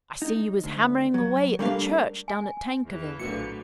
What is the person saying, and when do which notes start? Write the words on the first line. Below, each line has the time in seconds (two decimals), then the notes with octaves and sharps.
"I see you was hammering away at the Church down at Tankerville."
0.22 D#4
0.64 D2
1.14 F#3
1.59 G3 A3 A#3 D4 E4 F5
2.28 G#5
2.85 E2 E3
3.19 A#1 A2 D3 E3 F#3 B3 F#4 C#7